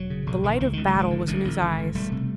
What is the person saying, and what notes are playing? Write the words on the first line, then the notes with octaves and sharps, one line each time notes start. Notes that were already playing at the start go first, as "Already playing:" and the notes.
The light of battle was in his eyes.
Already playing: E1 F#3
C#3
A#1 D3
A#1 D#3
C#2 E3
C#2 D#3
D3
G#1
D#3
D3
A1 D3 E3
A1
G#1
D3
E1 G3 A3
C3